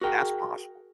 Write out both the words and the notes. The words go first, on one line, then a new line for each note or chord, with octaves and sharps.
That's possible.
F#4 G#4 A#4 G5